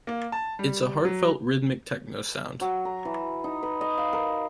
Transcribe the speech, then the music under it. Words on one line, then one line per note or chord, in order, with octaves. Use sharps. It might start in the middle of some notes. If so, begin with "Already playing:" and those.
It's a heart-felt rhythmic techno sound.
A#3
A5
G3
F#3
F#3
A#5
E3
D#4
B4
D#5
F5
A#4